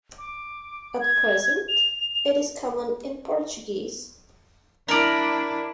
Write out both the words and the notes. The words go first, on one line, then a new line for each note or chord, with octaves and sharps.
At present, it is common in Portuguese.
D6
G#6
F7
D4 E4 A#4 D5